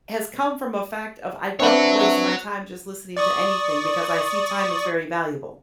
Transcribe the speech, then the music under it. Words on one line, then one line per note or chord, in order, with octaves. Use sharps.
has come from a fact of I don't waste my time just listening to anything because I see time as very valuable.
C4 D4 B4 C#5 E5 F#5
D5 C#6 D#6